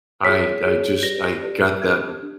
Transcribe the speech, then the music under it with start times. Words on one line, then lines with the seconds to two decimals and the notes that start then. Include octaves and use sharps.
I I just I got that
0.24 F4 G#4 C#5 B6
0.63 F4 G#4 C#5
1.03 G4 B4 D5 A#6
1.42 G4 B4 D5
1.82 D4 G4 A#4 G#6
2.23 D4